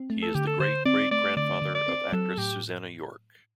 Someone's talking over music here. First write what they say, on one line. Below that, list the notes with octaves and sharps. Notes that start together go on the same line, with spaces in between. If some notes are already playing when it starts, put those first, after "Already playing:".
He is the great-great grandfather of actress Susannah York.
Already playing: C4
A3
A4
D3 G4
A4
D3 C5
C4 D5
A3 D5
D3 D5
D3
D5
C4
F#3 A4
A2 G4